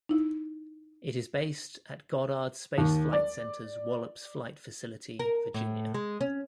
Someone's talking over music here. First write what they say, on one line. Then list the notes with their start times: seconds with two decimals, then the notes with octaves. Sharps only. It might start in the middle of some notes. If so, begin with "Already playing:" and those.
It is based at Goddard Space Flight Center's Wallops Flight Facility, Virginia.
0.09 D#4 E4
2.78 D#2
3.13 D5
5.19 A#4
5.54 A2
5.94 G#3
6.21 C#4